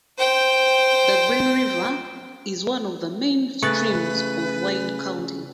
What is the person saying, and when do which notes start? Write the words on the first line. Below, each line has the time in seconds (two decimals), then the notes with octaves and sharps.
The Green River is one of the main streams of Wayne County.
0.17 C5 G5
3.63 C#3 A3 B4 C#6 F#6 A6